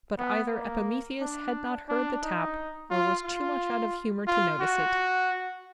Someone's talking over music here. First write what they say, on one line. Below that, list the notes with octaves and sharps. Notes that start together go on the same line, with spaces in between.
But either Epimetheus had not heard the tap, or was too much out of humour to notice it.
B3
A#3
D4
D4
D#4
F4
F4
F4
F#4